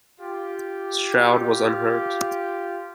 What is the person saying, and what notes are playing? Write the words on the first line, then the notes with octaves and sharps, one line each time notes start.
Stroud was unhurt.
F4 G4